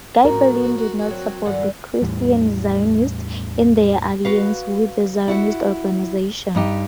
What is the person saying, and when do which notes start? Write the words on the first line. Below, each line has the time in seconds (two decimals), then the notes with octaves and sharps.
Gaebelein did not support the Christian Zionists in their alliance with the Zionist Organisation.
0.25 A2 F3 F#4 A#4
1.07 F#3 C4
1.45 G2 D3 E3 F#5
2.02 E2 A2 E3 G3
4.25 F#4 B4 F5
5.28 E4 F#4 F#5
6.55 G2 D#4 G4